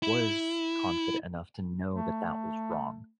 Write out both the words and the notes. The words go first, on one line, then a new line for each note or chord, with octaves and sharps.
was confident enough to know that that was wrong,
E4
A3